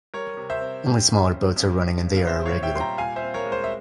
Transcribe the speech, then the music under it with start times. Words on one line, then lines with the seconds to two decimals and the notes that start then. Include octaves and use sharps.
Only smaller boats are running and they are irregular.
0.14 G3 A#4 C#5
0.37 C3
0.50 C5 E5
0.61 C4
0.85 G3
1.09 A#3
1.33 C#4
1.56 F2
1.79 F2
2.04 C#3
2.16 F5
2.27 C4 C5 E5
2.46 C#5 F5
2.51 A#2
2.63 E5 G5
2.75 G3 C6
2.80 G5 A#5
2.98 A#2 F5 G#5
3.16 C5 E5
3.22 C4
3.34 A#4 C#5
3.46 G#3
3.52 C5
3.64 E5